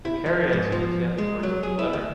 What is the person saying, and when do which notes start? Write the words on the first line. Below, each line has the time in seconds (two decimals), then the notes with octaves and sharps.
The Karaites understand these words to the letter.
0.05 E4
0.26 F3
0.53 G#2
0.72 F3
1.18 G#3
1.43 F#3
1.63 G#4
1.79 E4
1.93 D2